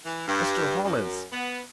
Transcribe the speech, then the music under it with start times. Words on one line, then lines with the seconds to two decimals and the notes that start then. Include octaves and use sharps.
"Mr. Hollins!"
0.05 E3
0.27 G2
0.84 F#2
1.32 B3